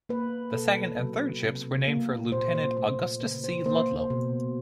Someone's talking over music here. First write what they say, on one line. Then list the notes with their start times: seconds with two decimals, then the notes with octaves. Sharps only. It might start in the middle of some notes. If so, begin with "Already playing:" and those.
The second and third ships were named for Lieutenant Augustus C. Ludlow.
0.09 A#3 B4
0.54 B2 A4
0.99 F#3
1.43 C3
1.87 A#3
2.32 A#2 C5
2.55 C5
2.77 A3 C5
2.99 C5
3.21 C#3 B4
3.44 C5
3.66 A#3 C5
4.10 B2